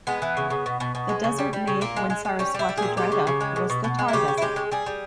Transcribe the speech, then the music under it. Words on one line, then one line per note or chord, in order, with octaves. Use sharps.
The desert made when Saraswati dried up was the Thar desert.
G#3 B3
E3
C#3
C#3
B2
B2
B2
G#3
C#3
G3
G3
C#3
A#2 A#3
G#3
G#3
G#3
G3 C#4
G3 E4
G3
A#2 G#4
G#3 G4
C#3
C#3
G#3
B2
B2
B2
G#3
E4
C#3 G4
C#3
E4
G#3 G4
G#3
G3 G#4
G3